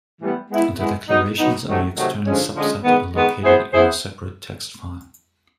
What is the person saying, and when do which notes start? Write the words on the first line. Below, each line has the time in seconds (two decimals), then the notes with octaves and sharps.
The declarations in the external subset are located in a separate text file.
0.20 A2 E3 G3 B3
0.50 G#3 B3 E4
0.79 G#3 B3 E4
1.09 F#3 B3 D#4
1.39 F#3 B3 D#4
1.67 C3 D#3 F#3 A3
1.96 C3 D#3 F#3 A3
2.26 D3 F3 G#3 C#4
2.55 D3 F3 G#3 C#4
2.85 D#3 G#3 B3
3.14 D#3 G#3 B3
3.44 B3 E4 G#4 C5
3.73 B3 E4 G#4 C5